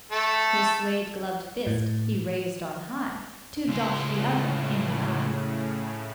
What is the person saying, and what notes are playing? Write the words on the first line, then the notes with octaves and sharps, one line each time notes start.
His suede-gloved fist he raised on high to dot the other in the eye.
A3 A4
A2
C#2 A2 C#3 G#3